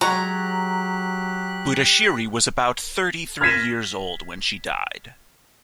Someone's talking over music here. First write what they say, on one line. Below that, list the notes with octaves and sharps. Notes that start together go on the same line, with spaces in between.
Budashiri was about thirty-three years old when she died.
F#3 G#3 F#4 G4 C#5 A#5 F#6
F6 G#6 A#6 B6 D#7 E7